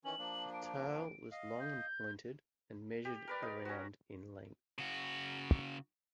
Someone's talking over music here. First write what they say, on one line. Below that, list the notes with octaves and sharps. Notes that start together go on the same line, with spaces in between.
The tail was long and pointed, and measured around in length.
D#3 E3 C#4 F#7
F3 A#3 D4
D7
D#5 F5
G6
G4
A#4 B4 D5
D#4
C#4 F#4
C#3 F#4